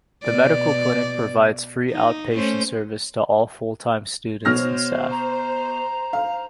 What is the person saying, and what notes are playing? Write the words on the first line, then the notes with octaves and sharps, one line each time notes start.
The medical clinic provides free outpatient service to all full-time students and staff.
B2 D5
D#4
A3 C#4 C5
B2 C5 C#5 F6 A#6
A#5
F5